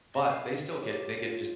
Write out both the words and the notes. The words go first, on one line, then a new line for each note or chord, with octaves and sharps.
but, they still get they get, just
D#5
F5
G4 C#5
F4